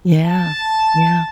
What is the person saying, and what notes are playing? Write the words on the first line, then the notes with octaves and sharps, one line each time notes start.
Yeah. Yeah.
A5